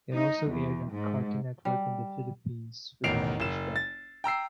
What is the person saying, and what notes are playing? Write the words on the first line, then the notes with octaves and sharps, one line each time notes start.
It also aired on Cartoon Network in the Philippines with an English dub.
D#4
E2
G#2
G3
A1 E2 D#3 C7 D7 F7
F#1 E7
A6
G5 A#5 E6 C7